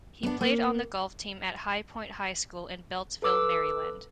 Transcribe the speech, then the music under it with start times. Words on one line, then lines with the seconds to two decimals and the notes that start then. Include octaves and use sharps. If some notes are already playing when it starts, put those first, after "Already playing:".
He played on the golf team at High Point High School in Beltsville, Maryland.
0.23 B3 D4
0.41 A#3
3.22 A4 B4 D6 E6